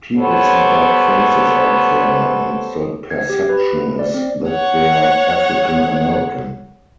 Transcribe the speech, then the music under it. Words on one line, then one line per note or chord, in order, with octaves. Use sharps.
People see dark faces out there, and the perception is that they're African-American.
G3 B3 A4 C5 C#5
G#6
G4
B4
D5
C4
C#5 F#5